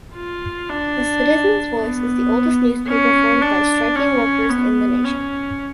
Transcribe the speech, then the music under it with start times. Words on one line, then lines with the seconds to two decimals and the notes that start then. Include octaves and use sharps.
The "Citizens' Voice" is the oldest newspaper formed by striking workers in the nation.
0.15 F4
0.70 D4
1.79 B3
2.88 C#4
3.42 D4
3.96 C#4
4.50 B3
5.05 C#4